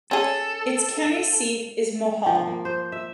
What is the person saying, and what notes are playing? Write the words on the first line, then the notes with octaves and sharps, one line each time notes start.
Its county seat is Mohall.
C#4 G#4 A4
F3
A#3
C5
E5